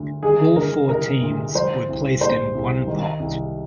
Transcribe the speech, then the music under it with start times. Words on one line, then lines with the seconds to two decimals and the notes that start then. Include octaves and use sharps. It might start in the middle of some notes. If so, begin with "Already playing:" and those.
All four teams were placed in one pot.
Already playing: D2
0.23 D#3 G#4
0.55 D2 A#4
0.89 C3 A#4
1.21 D2
1.55 F3 C5
1.88 C2
2.21 A#2 C5
2.55 C2
2.87 D#3
3.19 C2